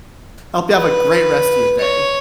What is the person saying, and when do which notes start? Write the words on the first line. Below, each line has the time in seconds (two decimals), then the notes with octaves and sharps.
Hope you have a great rest of your day.
0.74 B4
1.79 C#5